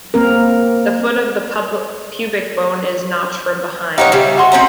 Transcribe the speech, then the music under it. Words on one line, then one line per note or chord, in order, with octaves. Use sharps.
The foot of the pubic bone is notched from behind.
A#3 C4 A#4
D#4 E4 G4 C#5 F5 F#5
C#3 G3 E5
F#4 C6 C#6
C4 C#4 A#5